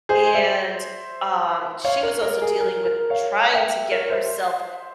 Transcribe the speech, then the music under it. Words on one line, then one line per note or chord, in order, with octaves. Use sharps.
and, um, she was also dealing with trying to get herself,
G#4 C5
C5 E5
C#5 F5
A#4 C#5
A#4
G#4
A#4
A#4
C#5 F5
E5 G5
A#4 C#5
C5 E5